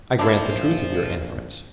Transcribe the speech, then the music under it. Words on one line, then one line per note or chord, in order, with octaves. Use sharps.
I grant the truth of your inference.
A#1 D4 E4 C5 F5